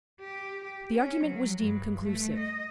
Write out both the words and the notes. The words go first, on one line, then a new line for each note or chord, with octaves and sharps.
The argument was deemed conclusive.
G4
G4
C#4
F#3
G2
A3
D#5